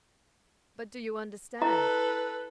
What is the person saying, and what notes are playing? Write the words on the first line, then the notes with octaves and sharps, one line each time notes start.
"But do you understand?"
E4 A4 B4 D#5 A#5